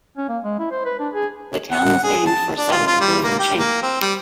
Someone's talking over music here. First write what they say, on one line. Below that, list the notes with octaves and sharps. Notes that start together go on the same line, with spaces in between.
The town was named for settler William Cheney.
C#4
A#3
G#3
E4
C5
B4
D4
G#4
F#5
G#4
A5
D4
F4
F4
G3
A#3
G4
A#3
C4
G3